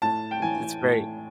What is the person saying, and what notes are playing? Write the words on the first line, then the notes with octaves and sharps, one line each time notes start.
it it's great.
A2 A5
G5
E3 G#5
A2